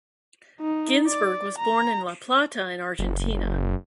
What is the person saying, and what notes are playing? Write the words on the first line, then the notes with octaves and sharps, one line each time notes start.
Ginzburg was born in La Plata in Argentina.
D#4
D5
A#5
F#1